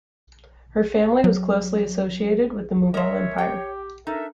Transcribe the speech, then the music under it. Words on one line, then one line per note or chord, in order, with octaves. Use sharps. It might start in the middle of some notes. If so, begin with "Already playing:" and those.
Her family was closely associated with the Mughal empire.
F#3
G#3 A#4 C#5 E5
G4 G5
D4 D#4 A4 A#4 E5